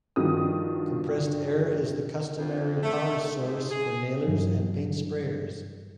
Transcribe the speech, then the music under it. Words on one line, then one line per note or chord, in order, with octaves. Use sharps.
Compressed air is the customary power source for nailers and paint sprayers.
G2 D#3 F3 F#4 D#6
F2
A3
G#2
G#4
G2 E3 F#3 G3